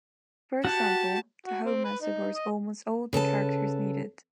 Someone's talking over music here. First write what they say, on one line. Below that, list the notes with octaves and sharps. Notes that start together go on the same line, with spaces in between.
For example, Tahoma supports almost all the characters needed.
F#4 G4 F#5 A5
F#4
C4
B4
D#4
D#5
C#3 A4 B4 A5